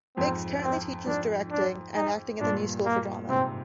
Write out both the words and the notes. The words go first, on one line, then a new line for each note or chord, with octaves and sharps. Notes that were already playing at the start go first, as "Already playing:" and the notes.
Biggs currently teaches directing and acting at The New School for Drama.
F2 G#2 C4
C4
F2 G#2 D4
D4
D#4
G2 A#2 D4
A#3
G#2 C3 C4